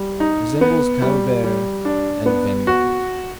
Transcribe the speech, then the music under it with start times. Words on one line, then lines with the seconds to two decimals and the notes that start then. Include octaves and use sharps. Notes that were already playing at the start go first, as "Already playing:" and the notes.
Resembles Camembert and Vendome.
Already playing: G3
0.20 D#4
0.61 B3
1.02 G3
1.44 G3
1.85 D4
2.26 B3
2.67 F#4